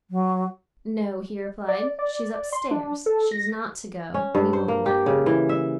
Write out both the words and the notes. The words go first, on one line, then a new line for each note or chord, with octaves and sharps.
'No,' he replied; 'she's upstairs: she's not to go; we won't let her.'
F#3
D5
D5
C6
D4
A4
A#6
C#4
G2
C5
A#3
G4
C#3
E3
E5